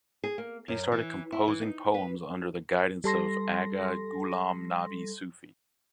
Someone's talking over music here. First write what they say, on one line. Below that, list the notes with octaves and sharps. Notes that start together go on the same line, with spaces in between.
He started composing poems under the guidance of Agha Ghulam Nabi Sufi.
G#4
A#3
F#2
E3
E4
E3
D#4
B4
G3 A4 C6 A#6